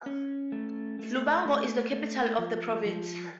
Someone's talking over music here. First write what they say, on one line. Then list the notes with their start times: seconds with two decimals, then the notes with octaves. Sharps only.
Lubango is the capital of the province.
0.06 C#4
0.52 A3
0.99 A3
1.45 A3
1.92 A3
2.38 F3
2.85 F3